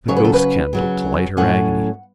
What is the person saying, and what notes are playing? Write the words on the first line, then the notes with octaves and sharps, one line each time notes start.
The ghostcandle to light her agony.
C#3 F#3 C#4 C#5
B4
A4
B4
C#3 F#3 C#4
A2 F#3 C#4 F#5